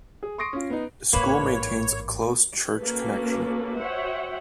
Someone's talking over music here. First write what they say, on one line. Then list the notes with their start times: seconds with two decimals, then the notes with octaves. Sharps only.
The school maintains a close church connection.
0.23 G#4
0.38 C6 C#6 D#6 A#6 C7 D7
0.53 C#4 F4
0.70 B3 D#4
1.13 A1 G#2 A#3 B4 C#5
2.79 A#3 C#4 F#4 A4 B4
3.80 F#4 C5 C#5 E5 F#5 G5